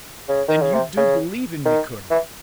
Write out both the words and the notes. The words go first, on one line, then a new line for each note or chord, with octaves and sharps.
"Then you do believe in me, Colonel?"
C#3
D#3
C#3
C3
C#3
D#3
E3